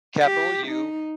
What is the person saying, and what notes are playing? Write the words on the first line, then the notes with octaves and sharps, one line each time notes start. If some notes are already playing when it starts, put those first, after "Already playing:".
capital U,
G4
D#4